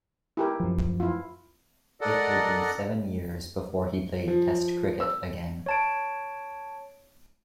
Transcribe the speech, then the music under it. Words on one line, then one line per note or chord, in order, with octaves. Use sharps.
It would be seven years before he played Test cricket again.
E4 G4 A#4
F#2 F3
E4 F4
A4 A#4 D5 D#5 F#5
F3
E6
C#5 A5 D7